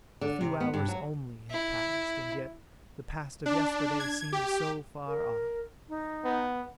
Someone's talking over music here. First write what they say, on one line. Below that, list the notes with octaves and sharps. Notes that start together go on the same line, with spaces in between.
A few hours only had passed, and yet the past of yesterday seemed so far off!
D3
C3
B3
G2
F#3
E4
D4
G#6
G4
A#4
D#4
B3